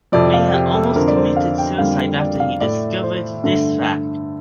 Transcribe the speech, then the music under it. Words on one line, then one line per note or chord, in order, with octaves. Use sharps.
Mayer almost committed suicide after he discovered this fact.
F2 C3 F3 D5
F5
G4
A4
F2 D3 F3 A#4
D5
C5
F5
G5
F2 D3 G3 A#3 F5
D5
F5
A2 A3 D5
C5
G2 D3 A3